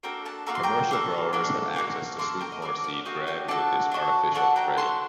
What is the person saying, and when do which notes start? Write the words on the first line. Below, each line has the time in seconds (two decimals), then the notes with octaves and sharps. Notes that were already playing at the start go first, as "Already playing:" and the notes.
Commercial growers have access to sweet corn seed bred with this artificial trait.
0.03 A#3 D4 F#4 A4 G5 A#5
0.25 F#5 A5
0.46 A#3 D4 F#4 A4 A#5
0.55 C6
0.63 G5 A#5
0.91 A#3 D4 F#4 A4
1.33 A#3 D4 F#4 A4
1.76 A#3 F#4 A4
2.19 A#3 F#4 A4 A5 C6
2.41 G5 A#5
2.52 D#5
2.62 A#3 F#4 A4 A#4 D5
2.84 D5 F#5
3.05 A#3 F#4 A4 D#5 G5
3.27 D#5 G5
3.48 D4 F#4 A4 F#5 A5
3.92 D4 F#4 A4
4.35 D4 F#4 A4 F#5 A5
4.56 G5 A#5
4.77 D4 F#4 A4 A5 C6